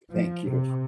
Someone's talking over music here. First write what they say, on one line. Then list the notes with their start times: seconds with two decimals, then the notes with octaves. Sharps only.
Thank you.
0.13 F3
0.49 C3